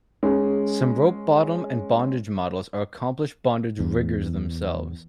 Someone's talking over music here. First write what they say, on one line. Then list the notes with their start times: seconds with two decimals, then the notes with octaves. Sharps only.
Some rope bottoms and bondage models are accomplished bondage riggers themselves.
0.23 G#3 C#4
3.79 E2